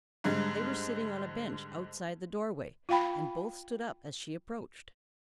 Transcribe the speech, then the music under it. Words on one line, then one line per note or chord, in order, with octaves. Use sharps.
They were sitting on a bench outside the doorway and both stood up as she approached.
G#2 D3 G3 G#3
F4 F5 G5 B5